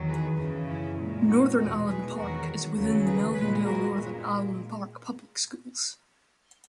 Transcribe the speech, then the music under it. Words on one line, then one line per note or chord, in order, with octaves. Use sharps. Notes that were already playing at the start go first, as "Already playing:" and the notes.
Northern Allen Park is within the Melvindale-Northern Allen Park Public Schools.
Already playing: E2 D#3 F#3
G#4 B4
F#2 C#3 E3
C#4 E4
A#2 G#3
D#4 F#4
E2 B2 G#3 D#4 F#4
G#4 B4
E2 D#3 F#3 F#4 A#4
D#2 C#3 F#3
G#4 B4
A#2 G#3 G#4 B4
F#4 A#4
A#2 G#3